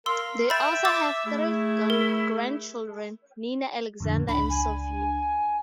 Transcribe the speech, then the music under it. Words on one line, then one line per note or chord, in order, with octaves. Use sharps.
They also have three grandchildren Nina, Alexander, and Sofia.
A#4 F5 C6 E6 G7
E5 G5 B5 A6
D6 E6 A6
A3 E4 G#4
A#4
F2 A2 D3
C#2 D4 B5
G#5